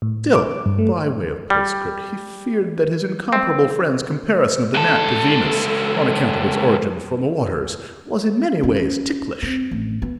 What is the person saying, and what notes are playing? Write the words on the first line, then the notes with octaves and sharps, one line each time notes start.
Still, by way of postscript, he feared that his incomparable friend's comparison of the gnat to Venus, on account of its origin from the waters, was in many ways ticklish.
A2
D6
G2
A3
G3
C4
C#2 A4
C#4
C4
A1
B3